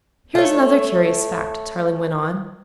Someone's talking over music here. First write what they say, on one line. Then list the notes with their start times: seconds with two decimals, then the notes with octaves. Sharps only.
"Here is another curious fact," Tarling went on.
0.35 A3 C#5